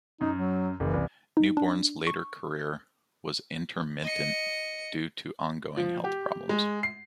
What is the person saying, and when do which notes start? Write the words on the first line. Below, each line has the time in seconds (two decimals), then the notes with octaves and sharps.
Newborn's later career was intermittent due to ongoing health problems.
0.21 F#2 D#4
0.36 F#3
0.80 F#1 E3
0.93 C2
1.37 D#4
1.57 D4
2.07 C#6
4.03 D#5 C#7
5.77 F3
6.04 G4
6.49 G#3
6.83 C7